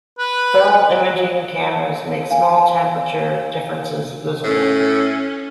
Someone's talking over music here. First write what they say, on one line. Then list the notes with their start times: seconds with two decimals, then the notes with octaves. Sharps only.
Thermal imaging cameras make small temperature differences visible.
0.18 B4
2.31 F5 G#5
4.44 A2 C#4